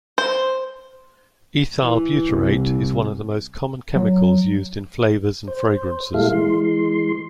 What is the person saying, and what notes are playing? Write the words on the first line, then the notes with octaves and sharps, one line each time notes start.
Ethyl butyrate is one of the most common chemicals used in flavors and fragrances.
C5
E3
C2
F#3
C5
A#2 G3 G#3 E4 A4 F5
E3 G#3 C6